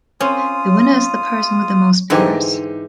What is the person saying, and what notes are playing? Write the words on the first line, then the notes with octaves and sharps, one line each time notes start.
The winner is the person with the most pairs.
C4 C#4 F4 D#6
G#2 D3 E3 D#4 G4